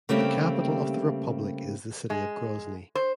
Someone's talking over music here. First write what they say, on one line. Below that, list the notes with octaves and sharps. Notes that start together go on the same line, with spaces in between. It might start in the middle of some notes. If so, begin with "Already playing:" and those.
The capital of the republic is the city of Grozny.
C#3 G3 A3 A#3 C4 G4
G#3
C5